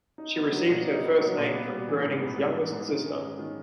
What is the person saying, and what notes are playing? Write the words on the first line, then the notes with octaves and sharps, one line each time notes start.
She received her first name from Groening's youngest sister.
D#4
B3
F#3
A#2
D#4
B3
F#3
A#2
B3
G3
E3
G#2
B3
G3
E3
G#2
D#3
C#4
G#3
D#3